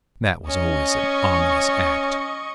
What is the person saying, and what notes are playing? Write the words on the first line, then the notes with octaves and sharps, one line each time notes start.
That was always an ominous act.
C#4 D#5 C#6